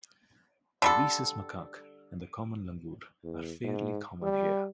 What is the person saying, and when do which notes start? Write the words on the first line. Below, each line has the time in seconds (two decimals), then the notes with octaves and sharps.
The rhesus macaque and the common langur are fairly common here.
0.82 D3 G3 A4
3.24 E2
3.64 G#2
4.23 G3